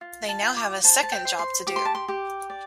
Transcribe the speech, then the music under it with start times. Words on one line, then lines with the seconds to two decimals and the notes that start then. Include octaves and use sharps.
They now have a second job to do.
0.01 F4
0.29 A5
0.43 F4
0.57 D6
0.84 C5 A5
1.03 A5
1.12 G5
1.25 C5
1.39 C6
1.67 G4 D6
1.76 C6
1.85 A5
1.95 C6
2.08 G4
2.50 D5